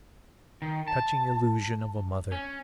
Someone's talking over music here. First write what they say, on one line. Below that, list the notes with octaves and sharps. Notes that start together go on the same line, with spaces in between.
Touching illusion of a mother!
D#3
A5
C#4